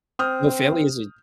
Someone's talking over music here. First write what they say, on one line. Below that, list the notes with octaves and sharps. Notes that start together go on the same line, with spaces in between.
no family is a
C4 D#6 F6 G6